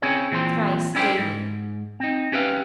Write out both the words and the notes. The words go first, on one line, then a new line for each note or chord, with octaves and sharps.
Thrice daily.
C4 C#4 E4 G#4 C#5
A#2 E3 F3 C4 C6
C#4 D4 E4 G4 A#4 C5
G#2
C4 D#4
C#4 G4 B4 E5 F5